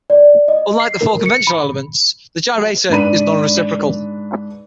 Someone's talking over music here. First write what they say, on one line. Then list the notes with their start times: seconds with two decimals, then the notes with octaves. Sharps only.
Unlike the four conventional elements, the gyrator is non-reciprocal.
0.10 D5
0.48 D#5
0.80 C7
1.01 A#4
1.26 C#7
1.47 B5
2.89 G#2 D4 B4 B5 D#7